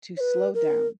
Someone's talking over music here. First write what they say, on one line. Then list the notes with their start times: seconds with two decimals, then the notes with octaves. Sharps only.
to slow down,
0.17 C#5
0.20 B4
0.54 A#4